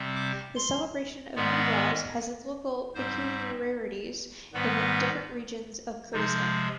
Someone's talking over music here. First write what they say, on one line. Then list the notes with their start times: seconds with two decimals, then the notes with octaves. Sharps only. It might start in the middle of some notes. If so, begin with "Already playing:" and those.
The celebration of Newroz has its local peculiarities in different regions of Kurdistan.
Already playing: C3 G3 C4
0.16 D6
0.56 C6
1.35 G#2 D#3 G#3 B3 D5
2.95 G#2 G3 C4 C5
4.53 G#2 D#3 G3 B3 B4
6.13 C3 F3 G#3 D#4